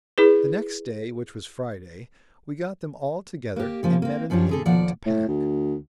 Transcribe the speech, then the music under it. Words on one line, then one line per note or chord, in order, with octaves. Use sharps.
The next day, which was Friday, we got them all together, and met in the evening to pack.
E4 G#4 B4
A#3 G4
C#3 F3 A#3
A#3 C4
F#2 F3 C#4 D4 G4
D3 G#4 A4
D#2 F3 D5 F#5
A2
D2